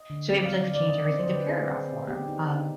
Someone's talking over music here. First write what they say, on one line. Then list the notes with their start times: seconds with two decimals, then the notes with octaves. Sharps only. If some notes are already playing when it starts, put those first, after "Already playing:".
so, it would, like, change everything to paragraph form, um,
Already playing: D#5
0.10 D3
0.30 C4 D5
0.45 C4 F5
0.69 D3
0.74 D5
0.89 D3 D#5
1.04 C4 D5
1.19 C5
1.29 D3 B4
1.48 C4 G#4
1.69 C4
1.89 C4
2.08 B3 G4
2.28 D#4
2.48 D#4